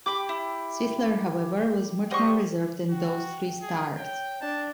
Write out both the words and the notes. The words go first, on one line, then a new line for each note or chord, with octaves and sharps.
Sisler, however, was much more reserved than those three stars.
G4 G5 B5 D6
E4
G3 C5 D#5 F#5 C#6
F#4 G5
G#4
C#5 G5
D4 G5 A5